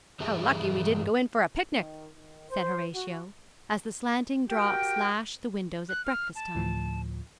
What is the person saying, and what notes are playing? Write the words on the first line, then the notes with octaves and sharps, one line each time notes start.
'How lucky we didn't go in for a picnic!' said Horatio, as the slanting drops lashed the windows at breakfast time.
G2 E3 G4 G#4 E5 A5
D#3
D#3
C5
F#4
F#4 G4 A#4 G5
F#6
F6
A5
D2 A2 F3